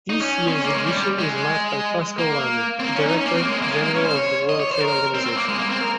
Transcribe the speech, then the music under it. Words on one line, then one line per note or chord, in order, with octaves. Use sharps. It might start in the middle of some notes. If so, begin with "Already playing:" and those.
This year's edition is marked by Pascal Lamy, Director-General of the World Trade Organization.
D#4
C#4
C4
C#4
A#3
G#3
G3
G3
G#3
A#3
C4
A#3
C#4
D#4
C#4
A#3
C4
A#3
G#3
A#3
G#3
A#3
C#4
C5
C#5
D#5
C#5
C5
A#4
C4
C4
A#3
G#3
A#3
C4
A#4